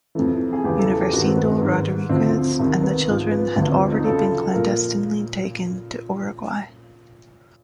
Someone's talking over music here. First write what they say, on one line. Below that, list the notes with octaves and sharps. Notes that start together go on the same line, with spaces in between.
Universindo Rodriguez and the children had already been clandestinely taken to Uruguay.
F2 C3 E3 A4
G#4
E2 C#3 E3 G4
A4
G#4
G4
G2 D#3 F#4
C4
B3
B3
G#2 D#3
D2 D3 F3 C4
C4
C2 C3 D#3
B3
G#2 F3
B3
D2 D3 F3 B3
C4
D#4
F#2 C#3 F3 A4
A#2 F3 A#4